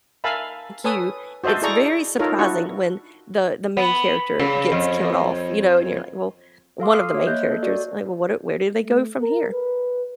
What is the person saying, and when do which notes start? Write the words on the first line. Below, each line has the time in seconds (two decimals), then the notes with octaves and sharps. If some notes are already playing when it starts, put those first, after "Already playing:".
you, it's very surprising when the the main character gets killed off, you know? And you're like well, one of the main characters. And you're like, "Well, what do Where do they go from here?"
0.24 A#4 E5 F5 G#5 A5 B5
0.84 A4 B4 C#5 G#5 D#6
1.44 F#4 C5 D#5 E5 A5
1.62 E4 G#4 A4 D5 A#5 C#6
2.19 D#4 F4 A4 A#4 C#5
2.38 D4 E4 F#4 C#6
3.77 B3
4.40 C#3
4.72 F2
6.80 A4 F5 C6 D6
6.93 D#6 F6 C7
7.14 C#5 E5
7.27 A#3 D#5 F#6 G6
7.50 A4
7.63 F#4 D5
8.78 A3
9.22 A#4
9.52 B4